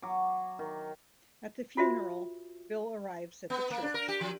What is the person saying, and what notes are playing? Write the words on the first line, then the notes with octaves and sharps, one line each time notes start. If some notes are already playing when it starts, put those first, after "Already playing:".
At the funeral, Bill arrives at the church.
F#3 D6
D#3
F4 F#4 C5 E5
B3
A#3
D4
A#4
G4
F3